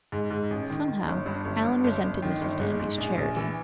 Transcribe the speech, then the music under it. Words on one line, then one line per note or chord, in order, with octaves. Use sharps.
Somehow, Alan resented Mrs. Danby's charity.
G#2
G#2
A1
D#3
D#3
G1
G2
G1
G2
G1
G1
D#3
G1
G#2
G#2
A#1
A#1
E3